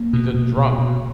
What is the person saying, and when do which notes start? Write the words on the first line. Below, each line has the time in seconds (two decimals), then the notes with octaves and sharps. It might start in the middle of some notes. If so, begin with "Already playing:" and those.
He's a drunk.
Already playing: A#3
0.13 B2
0.34 B2
0.57 B2
0.79 B2